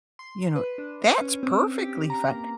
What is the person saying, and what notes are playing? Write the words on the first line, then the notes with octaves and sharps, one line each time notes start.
You know? That's perfectly fine.
C6
B4
D4
C#4
C4
G4
A#5
A#3